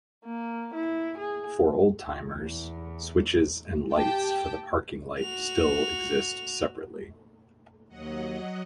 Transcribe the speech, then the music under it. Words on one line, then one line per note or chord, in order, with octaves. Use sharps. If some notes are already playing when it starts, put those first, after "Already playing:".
For old-timers, switches and lights for the parking light still exist separately.
A#3
E4
G#4
E2
G4 G5 A5
F#4 F7
D#2 F#3 D#5 F#5